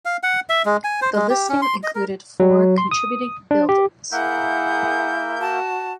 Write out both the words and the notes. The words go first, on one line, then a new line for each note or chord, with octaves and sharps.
The listing included four contributing buildings.
F5
F#5
E5
G#3
G#5
C5
G#3
G4
C#4
C6
D#5
A#4
F#3
C6
D#6
D4
G4
A#3 E4 G#4 A#4 E5 F#5 G6
F#4 A5